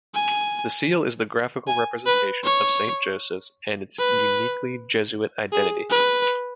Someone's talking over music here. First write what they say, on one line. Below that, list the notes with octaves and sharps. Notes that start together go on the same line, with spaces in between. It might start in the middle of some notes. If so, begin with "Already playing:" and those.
The seal is the graphical representation of Saint Joseph's and its uniquely Jesuit identity.
G#5
G#5
B4
C#5
B4
G#4
B4